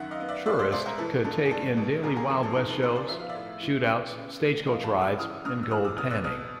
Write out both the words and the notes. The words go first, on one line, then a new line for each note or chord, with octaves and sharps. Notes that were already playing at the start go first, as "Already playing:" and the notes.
Trourist could take in dailey wild west shows, shootouts, stagecoach rides and gold panning.
Already playing: F#2 D#3 E5 F#5
D#5 F5
B3
D5 E5
G#3 D5 E5
C5 D5
B2 C5 D5
A#4 C5
E3 A4 B4
G2 A4
G#4
G3 A4
B2
C3 G#4 A#4
G#4 A#4
F2 G#4 A#4
A4
D#3 G#4 A#4
A4 B4
B3 A#4 C5
C5 D5
F3 E5
F5
D5 E5
A2
E3
B3
C#3
A3
F3 D#5 F5
A5 B5
C#3
D6 E6
E3 D#6 F6
G2 D#6 F6
E6
E3 D#6 F6
D6 E6
B3 D#6 F6
E6 F#6
B2 D#6 F6